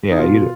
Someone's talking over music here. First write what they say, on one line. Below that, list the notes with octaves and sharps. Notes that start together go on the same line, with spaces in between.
Yeah, you d
D#4
B2 F4
B2